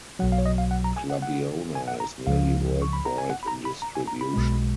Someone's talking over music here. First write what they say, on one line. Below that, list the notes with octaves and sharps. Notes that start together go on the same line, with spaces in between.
"Clubiona" is nearly worldwide in distribution.
B1 B2 F#3 F#5
F5
C#5
D#5
F5
F#5
A#5
G#5
F#5
F#5
G#5
F#5
A#5
C#2 C#3 F3 F5
C#6
B5
A#5
G#5
F#5
B5
A#5
B5
A#5
G#5
A#5
B5
B1 B2 G#3